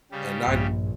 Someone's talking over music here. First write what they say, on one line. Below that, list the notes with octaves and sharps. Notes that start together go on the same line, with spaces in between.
And ni
C#3 G3 G4
A#1 G2